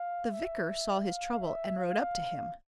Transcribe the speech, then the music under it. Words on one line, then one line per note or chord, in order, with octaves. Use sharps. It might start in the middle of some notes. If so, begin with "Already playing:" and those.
The vicar saw his trouble, and rode up to him.
Already playing: F5
E5
F5
E5
F5